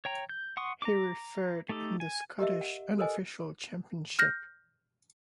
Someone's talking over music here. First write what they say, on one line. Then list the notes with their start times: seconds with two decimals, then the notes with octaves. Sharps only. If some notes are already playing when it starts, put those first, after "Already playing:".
He refereed in the Scottish Unofficial Championship.
0.05 C#5 G5 A#5
0.29 G6
0.57 F#5 C6 C#6 D#6
0.82 A#5 D6
1.69 A3 D#4 G4 A4
2.00 G#5
2.39 G4 A#4 D#5 E5
2.61 F#5
2.98 A4 A#4 C5 D#5 G#5
4.19 F6 G6 A#6